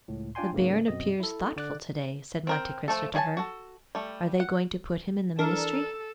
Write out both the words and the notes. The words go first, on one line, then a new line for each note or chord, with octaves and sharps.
"The baron appears thoughtful to-day," said Monte Cristo to her; "are they going to put him in the ministry?"
C#2 A2
D4 F4 D5 G5 G#5 C6
G#2 C#3 A#3
F#2 B2 C4 D#5
E4 A4
D3 D5 D6 F#6
C4 A#4 G5
F3 A3 A4
F#3 E4 G#4 G#5 A5
F#4 A4
G3 A3
F#5
E3 D4 A4 A#4